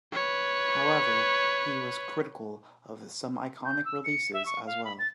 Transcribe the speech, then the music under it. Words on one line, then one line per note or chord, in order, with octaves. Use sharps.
However he was critical of some iconic releases as well.
B4 C#5
G6
E6
C#7
E5
C#6
F5
B5
A6